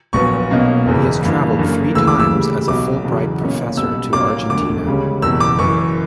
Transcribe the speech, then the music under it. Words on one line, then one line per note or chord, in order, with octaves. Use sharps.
He has travelled three times as a Fulbright professor to Argentina.
A#1 A#2 F#3 B3 C#6
B1 B2 A#3 C#4
F#1 E2 C#3 E3
G2 E3 A#3
F#2 D3 A#3
D2 C#3 E3 A#3 E6
D6
E6
D2 C#3 G3
B1 B2 F#3 D6
E2 C#3 F#3
B1 A#2 A#3 C#4
B1 B2 G3 E6
B1 A#2 F#3 A#3 C#4 D6
E1 D2 D3 D6
C#2 C#3 G3 C#4
F#1 E2 B2 E6
D6
F#1 F#2 E3 C#6